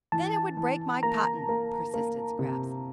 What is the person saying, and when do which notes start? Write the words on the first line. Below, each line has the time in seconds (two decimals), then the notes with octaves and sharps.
"Then it would break my cotton," persisted Scraps.
0.12 E3 A5
0.57 E3
1.03 A#3 A#5
1.49 A#3
1.94 A#3
2.39 C3